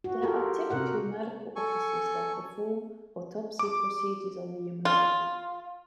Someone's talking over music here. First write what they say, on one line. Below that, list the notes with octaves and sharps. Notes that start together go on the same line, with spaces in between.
They are typically medical officers that perform autopsy procedures on the human body.
F#4
F4 G4 A4 A#4
C3 F#4 A#4 F#5
A4 G#5 C#6
D6
F4